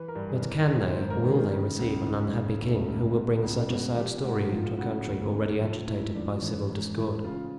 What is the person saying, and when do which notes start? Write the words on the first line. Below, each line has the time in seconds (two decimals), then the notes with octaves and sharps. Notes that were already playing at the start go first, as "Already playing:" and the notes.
But can they, will they receive an unhappy king, who will bring such a sad story into a country already agitated by civil discord?
Already playing: E3 B4
0.08 A#4
0.15 G2
0.29 G#4
0.42 E3
0.70 D#3 C#5
0.90 C5
0.97 G#2
1.10 A#4
1.24 D#3
1.31 G#4
1.51 C#3
1.79 C#2
2.06 C#2
2.33 C#3
2.61 D2
2.88 D2
3.15 B2
3.43 C#2
3.70 B2
3.97 F3 G4
4.24 G#2 F#4
4.51 F3 F4
4.78 C#3 F#4
5.06 D2
5.20 G#4
5.33 D2
5.60 F3 A4
5.88 G#2 E4
6.15 F3 D4
6.42 E3 C#4
6.70 G#2
6.96 E3 E4
7.24 C#3 F4